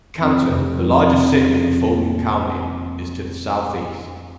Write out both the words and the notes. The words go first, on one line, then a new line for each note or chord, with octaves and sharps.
Canton, the largest city in Fulton County, is to the southeast.
F2
F1
F3
F1
C#3
F2
A#3